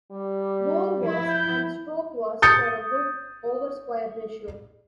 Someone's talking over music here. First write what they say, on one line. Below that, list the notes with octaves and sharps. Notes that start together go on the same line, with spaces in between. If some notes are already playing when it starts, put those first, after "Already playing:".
Bore was and stroke was for a good oversquare ratio.
G3
F3 E4
G6
D#6 G6 A6 C#7